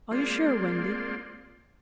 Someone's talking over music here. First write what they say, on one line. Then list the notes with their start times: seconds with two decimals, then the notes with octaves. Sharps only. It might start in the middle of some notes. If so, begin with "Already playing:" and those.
"Are you sure, Wendy?"
0.11 G#3 A#3 C4 F4 D5 C6